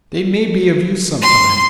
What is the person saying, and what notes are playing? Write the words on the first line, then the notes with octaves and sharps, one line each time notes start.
They may be of use some time.
C6